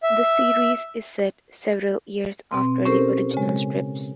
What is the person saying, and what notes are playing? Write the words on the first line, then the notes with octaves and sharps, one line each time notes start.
The series is set several years after the original strips.
E5
B2 C4 C6
C#4 E4 G4 A4 A#4 C5
C#3 G#3